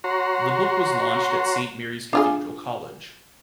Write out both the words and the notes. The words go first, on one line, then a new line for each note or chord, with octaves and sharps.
The book was launched at Saint Mary's Cathedral College.
F#4 C#5 A#5 C6
D4 F4 G#4